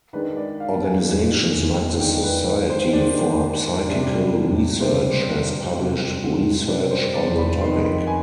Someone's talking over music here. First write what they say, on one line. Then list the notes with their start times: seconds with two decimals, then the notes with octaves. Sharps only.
Organisations like the Society for Psychical Research has published research on the topic.
0.13 D#3 G#3 D4 B4
0.37 D5
0.60 F5
0.84 G#5
1.07 D#3 G#3 D4
2.00 D#3 G#3 D4 G5
2.23 B4
2.46 B4
2.70 C5
2.93 D#3 G#3 D4
3.88 C3 G3 D4
4.80 C3 G3 D4 C5
5.74 C3 G3 D4
6.67 C3 G3 D4 B4
6.91 C5
7.14 D5
7.38 B5
7.61 F2 D#3 B3 D#4 C6
7.84 B5
8.07 G#5